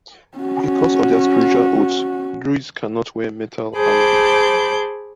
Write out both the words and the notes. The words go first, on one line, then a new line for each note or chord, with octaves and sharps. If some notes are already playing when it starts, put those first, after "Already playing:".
Because of their spiritual oaths, druids cannot wear metal armor.
C#4 F#4
G#4 C5 A5 B5 D6 G6